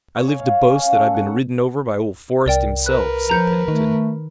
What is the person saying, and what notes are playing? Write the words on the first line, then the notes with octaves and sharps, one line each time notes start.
"I live to boast that I've been ridden over by old Forrest himself," said Pennington.
C#5
G#5
F5
C#4
F5
A4
F#5
C2 A#4 D5 G5
A#4 B4 F#6
F3 A#5 G6 C#7
D#3 A3